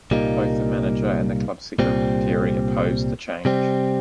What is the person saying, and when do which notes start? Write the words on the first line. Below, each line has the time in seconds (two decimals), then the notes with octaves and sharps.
Both the manager and the club secretary opposed the change.
0.11 C2 A#2 G3 A#3 D#4
1.79 C2 A#2 G3 C4
3.45 C3 G3 C4